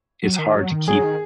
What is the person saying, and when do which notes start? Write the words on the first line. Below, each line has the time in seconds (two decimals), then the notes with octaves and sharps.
it's hard to keep
0.23 F#3
0.39 D#3
0.56 F#3
0.71 D#3
0.87 F#3 G#4
1.04 D#3